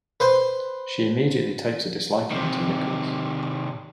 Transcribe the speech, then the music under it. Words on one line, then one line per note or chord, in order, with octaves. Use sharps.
She immediately takes a disliking to Nicholas.
B4 C5 C6
C3 D#3